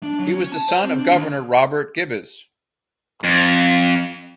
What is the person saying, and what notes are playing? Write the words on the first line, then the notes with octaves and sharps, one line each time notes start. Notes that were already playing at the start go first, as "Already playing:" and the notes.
He was the son of governor Robert Gibbes.
D4
F#3
C#4
A5
C5
C4
D4
D#2
F2